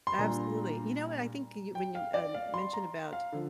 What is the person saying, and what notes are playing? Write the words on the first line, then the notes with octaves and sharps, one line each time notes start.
Absolutely, you know what, I think you when you, um, mentioned about,
C6
A#2 G3 D4 A#5
G5
F5
D5
F5
C6
A#5
F5
D3 F3